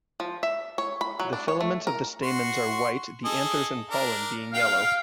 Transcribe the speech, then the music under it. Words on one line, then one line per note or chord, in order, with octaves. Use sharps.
The filaments of the stamens are white, the anthers and pollen being yellow.
F3
E5
C#5
B5
F#3
D4
C#5
A3
A#4
F#4 C6 C#6
G#4 A4 D#5
D4 A#4
F5 G5